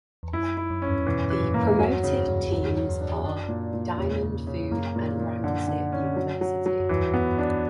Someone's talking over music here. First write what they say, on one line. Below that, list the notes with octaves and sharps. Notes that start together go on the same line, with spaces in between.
The promoted teams are Diamond Food and Rangsit University.
E2
F#2 E4
E4
F#2
C#4
E2 G2
G2 B2 E3
E3
A#2
G2
F#2 A#2 A#3
E2 G2 F#3
F#2 C#3
E2 G2 C#3
E2 F#3
F#3
E2
D4
F#2 D4
A#2
A#2
E2 C#3
C#3
C#3
F#2 A#3
A#2
A#2
F#2 D3
D3
C#4
F#3
F#3
F#3
F#2
E2 G2 E3
B3
D4